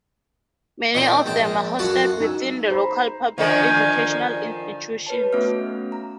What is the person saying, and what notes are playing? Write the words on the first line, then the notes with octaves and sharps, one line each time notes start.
Many of them are hosted within the local public educational institutions.
A#2 D#3 C4 G5 G#5 A#5
A#1 G#2 G5 A5
F#2 F4 F#4 A4 A5
D#4 G#5 E6
G#4 C5 A#5 B5
D3 D#3 F3 G#5
B4 C#5 A5
A3 B3 C#4 F#4 E5 F6
A#5